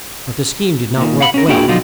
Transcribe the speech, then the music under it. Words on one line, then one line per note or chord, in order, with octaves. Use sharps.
But the scheme did not work well.
A#2 D#3
F5 F#5 B5
C#4 A#4
A#2 D4 E4 F#4 G#4 G5
B2 D3 F3 F#3 D#4 F4